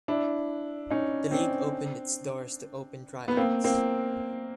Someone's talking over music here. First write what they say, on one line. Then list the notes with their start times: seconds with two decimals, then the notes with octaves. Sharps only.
The league opened its doors to open try-outs.
0.08 D4 E4
0.90 C#4 D#4
1.31 C4 D4
3.28 B3
3.37 A#3 C4
3.64 A#3 C4